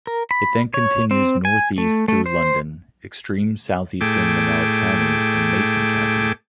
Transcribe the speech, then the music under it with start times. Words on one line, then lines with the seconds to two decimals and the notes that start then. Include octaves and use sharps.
It then continues northeast through London, extreme southeastern Menard County, and Mason County.
0.07 A#4
0.31 B5
0.74 C#5
1.11 C4
1.45 G#5
1.78 A3
2.08 A3
2.26 C5
4.01 A2 A3 G#4 G5 D6